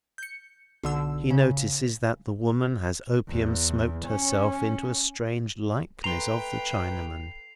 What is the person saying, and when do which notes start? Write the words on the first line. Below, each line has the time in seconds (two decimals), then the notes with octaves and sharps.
He notices that the woman has opium-smoked herself into a strange likeness of the Chinaman.
0.18 G6 C#7
0.83 B1 D3 E6
1.31 C#3
3.28 E2
4.07 C#4
6.04 A3 B4 G5 A#5 C6 C7 F7